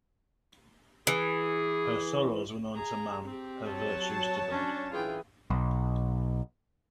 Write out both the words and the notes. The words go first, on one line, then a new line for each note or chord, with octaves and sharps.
Her sorrows were known to man; her virtues to God.
E3 G#4
G#4 A#5
C4 G4
F#3 C#5 A5
C#4 D4
E3 F4 G#4 G5
B1